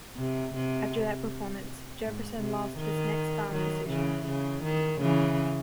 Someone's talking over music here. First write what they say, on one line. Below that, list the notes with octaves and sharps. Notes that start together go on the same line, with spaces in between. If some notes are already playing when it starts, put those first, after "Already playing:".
After that performance, Jefferson lost his next five decisions.
C3
C3
G#2
C3
D#3
D#3 F#3
C#3 E3
C#3
D#3
C#3 E3